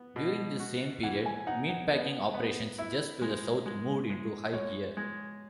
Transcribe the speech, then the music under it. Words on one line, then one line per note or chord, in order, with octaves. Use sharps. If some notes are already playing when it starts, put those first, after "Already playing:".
During this same period, meatpacking operations just to the south moved into high gear.
Already playing: B3
B2
F#4
E3 F#5
G#5
D#4 F#5
F#5
B3
B3
E4 E5
G#3
G#3
G#3
G#3 C#5
G#3